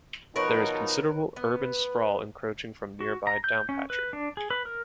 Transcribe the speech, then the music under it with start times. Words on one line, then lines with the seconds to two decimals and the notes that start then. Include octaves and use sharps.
There is considerable urban sprawl encroaching from nearby Downpatrick.
0.36 B2 F3 D#4 A#4 B4 C#5
1.36 B3 B4
3.00 F#4
3.27 A#5
3.44 G6
3.69 C#4
3.90 B4
4.13 D4
4.37 G#4
4.51 B4
4.65 A#4